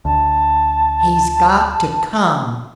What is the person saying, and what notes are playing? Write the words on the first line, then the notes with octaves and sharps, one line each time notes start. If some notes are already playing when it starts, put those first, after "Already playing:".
"He's got to come!"
D2 A5